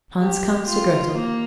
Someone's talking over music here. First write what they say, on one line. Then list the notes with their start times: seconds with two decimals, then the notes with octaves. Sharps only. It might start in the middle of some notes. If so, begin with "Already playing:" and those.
Hans comes to Grettel.
0.21 G4
0.68 F4
1.14 A#3